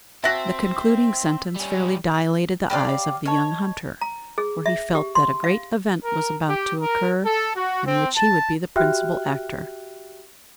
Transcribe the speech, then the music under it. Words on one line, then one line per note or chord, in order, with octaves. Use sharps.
The concluding sentence fairly dilated the eyes of the young hunter, for he felt that a great event was about to occur, in which he would be the principal actor.
C4 F#4 E5 A5
G3 C#4
G4 C#5 D5 F5 B5
C#5 D#5 A5
A#5
G#4
E5
G4
C6
F5
A#4
G4
A#4
A4
F#4
C4
A5
F#4 G4 E5 G5 F6 F#6